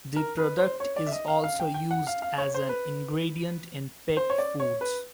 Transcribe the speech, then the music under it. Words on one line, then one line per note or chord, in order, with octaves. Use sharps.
The product is also used as an ingredient in pet foods.
A#4
B4
C5
C#5
D5
E5
D#5
F5
F5
G5
G5
F#5
F5
F5
C#5
C5
B4
C5
C#5
D5
C#5
B4